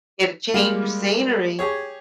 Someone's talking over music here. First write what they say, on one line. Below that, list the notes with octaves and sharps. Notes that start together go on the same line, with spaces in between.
get a change of scenery,
G3 G#3 A#3 F5
G4 G#4 C#5